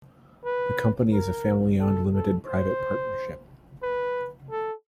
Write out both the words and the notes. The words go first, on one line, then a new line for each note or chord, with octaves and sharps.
The company is a family-owned limited private partnership.
B4
A#4
A4
A4
C5
B4
A4